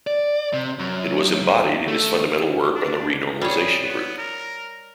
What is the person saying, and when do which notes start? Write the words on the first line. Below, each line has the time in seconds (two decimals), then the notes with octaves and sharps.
It was embodied in his fundamental work on the renormalization group.
0.07 D5
0.53 C3
0.79 F#2
1.88 A3
2.76 D4
3.41 G3 G#4 C#5
3.84 B3
4.18 A#4